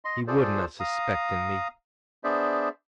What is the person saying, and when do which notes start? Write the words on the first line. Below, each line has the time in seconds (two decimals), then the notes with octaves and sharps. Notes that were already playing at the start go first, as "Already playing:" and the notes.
He would’n ha’ suspect’n me.
0.05 D#5 C6
0.28 F4 G#4 A4 C5 D5
0.80 F5 A#5 D#6
2.24 B3 D4 G#4 C5 D5 E5